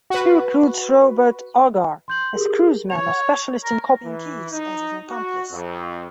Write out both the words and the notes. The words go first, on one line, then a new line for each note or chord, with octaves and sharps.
He recruits Robert Agar, a "screwsman" or specialist in copying keys, as an accomplice.
F#4 B4
C6 G6 F#7
G4 G#4 A#4
C#5 F7
A#4
E3
D#4
F#4
F2